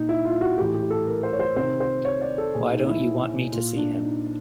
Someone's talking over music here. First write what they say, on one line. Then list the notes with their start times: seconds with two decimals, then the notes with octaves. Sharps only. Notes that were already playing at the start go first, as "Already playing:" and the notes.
Why don't you want me to see him?
Already playing: A#2 D#4
0.09 E4
0.25 F4
0.41 F#4
0.58 A2 E3 G4
0.75 G4
0.90 A4
1.07 A#4
1.23 C5
1.33 C#5
1.39 C5
1.56 C3 D#3 C5
1.80 C5
2.05 C#5
2.21 D5
2.38 A4
2.54 A#2 G#4
2.71 D#4
2.87 E4
3.52 A#2 F4
3.77 D4
4.02 D#4